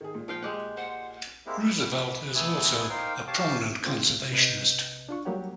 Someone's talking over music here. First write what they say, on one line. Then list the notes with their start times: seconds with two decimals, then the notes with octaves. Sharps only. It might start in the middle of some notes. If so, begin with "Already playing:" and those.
Roosevelt is also a prominent conservationist.
0.01 D#3 G#4
0.14 A#2
0.28 F3 F5 G5
0.42 G#3 G4 F#5
0.77 C5 F#5
1.46 G#3 A#3 C4 E4 G4
1.64 B5
2.35 A3 B3 E4 G#5 D#6 F#6
2.90 A#3 D#4 A#4 C5 F5 G5
3.27 G4 C#5 F5 A5 D6
3.86 C#3 G#3 C4 F4
4.32 C3 B4 D#5 F#6 G6
5.09 D4 F4 C#6
5.25 F#3 G3 A#3 G4 C#5 F#5